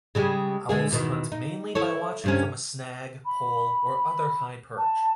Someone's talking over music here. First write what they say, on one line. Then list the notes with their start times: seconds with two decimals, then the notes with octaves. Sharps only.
Owls hunt mainly by watching from a snag, pole or other high perch.
0.15 C#3 G3 G#3
0.69 D3 G#3 G#4
0.90 E2 B2 D#3
1.32 D#4
1.75 E4 A4 C#5
2.24 G2 C3 C#4
3.25 B5
4.77 A5